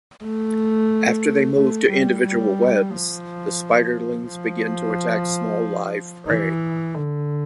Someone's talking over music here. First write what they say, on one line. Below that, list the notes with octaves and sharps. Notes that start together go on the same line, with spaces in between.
After they move to individual webs the spiderlings begin to attack small live prey.
A3
A3
G3
G3
F3
F3
E3
D3